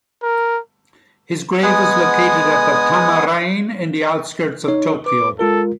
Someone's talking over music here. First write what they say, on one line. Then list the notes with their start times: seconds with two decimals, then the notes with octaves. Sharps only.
His grave is located at the Tama Reien in the outskirts of Tokyo.
0.23 A#4
1.63 G#3 B3 F#5 G#5 D#6
4.68 D#4 C#5
5.06 B4 D6
5.39 G#3 F4 A4 A#4